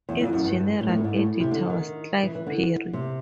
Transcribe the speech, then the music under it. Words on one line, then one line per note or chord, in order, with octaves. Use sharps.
Its general editor was Clive Parry.
E2
F2
F#2
G2
A2
A#2
A2
G#2
A2
C3
D3
D#3
E3
E3
D3
C3